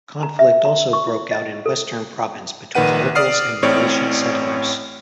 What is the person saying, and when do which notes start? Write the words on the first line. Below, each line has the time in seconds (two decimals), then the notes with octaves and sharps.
Conflict also broke out in Western Province between locals and Malaitan settlers.
0.23 A#5
0.39 E5
0.65 A#5
0.93 C#6
1.07 E4
1.31 D#5
1.66 A4
2.75 A#1 D#3 B4 F#5 D#7
3.15 D5 D#6 F6 C7
3.62 A1 A2 C4 C#5 D5